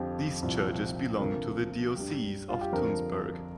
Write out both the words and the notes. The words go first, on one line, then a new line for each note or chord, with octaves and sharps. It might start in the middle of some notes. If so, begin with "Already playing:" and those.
These churches belong to the Diocese of Tunsberg.
Already playing: F2 D3 F3 G4
C2 A#2 F3
D2 C3 F3 A#4
G2 G3
F4
G4
F2 D3 F3 A#4